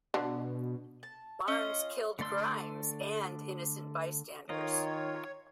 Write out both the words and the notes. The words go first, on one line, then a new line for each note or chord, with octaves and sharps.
Barnes killed Grimes and innocent bystanders.
B2 D3
A5
C#4 F4 D#5
D3 A3 D5 C6 E6
D#3 F4 A#4 C#5 D#5